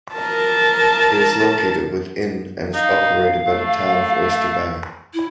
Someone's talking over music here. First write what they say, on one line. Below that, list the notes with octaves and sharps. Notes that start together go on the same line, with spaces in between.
It is located within and is operated by the Town of Oyster Bay.
A#4 A5
D#4 F5
A3
E4